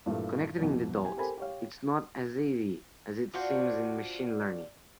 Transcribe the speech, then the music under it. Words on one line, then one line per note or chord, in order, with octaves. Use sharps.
Connecting the dots, is not as easy as it seems in machine learning.
G2 A#2 E3 A3
C2 F2 B2
G4 G5 G#5
G4 A4 A#4 C5 G#5 B5
G4 C#5 F5
D4 F4 F#4 C5